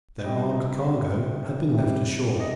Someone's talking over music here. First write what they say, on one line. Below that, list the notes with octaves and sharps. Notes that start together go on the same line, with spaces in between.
Their armed cargo had been left ashore.
C3 G3 D#5
C3 G3
D#5